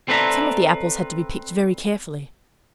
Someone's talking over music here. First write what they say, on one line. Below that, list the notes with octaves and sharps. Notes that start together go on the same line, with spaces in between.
Some of the apples had to be picked very carefully.
C4 A4 B4 D5 E5 A#5